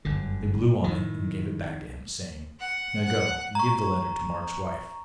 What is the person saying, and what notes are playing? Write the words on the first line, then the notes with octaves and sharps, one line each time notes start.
They blew on it and gave it back to him, saying: 'Now go and give the letter to Mark's wife.
G1 F#2 D3
A2 D#3
F#5
F#5
A#5 C#6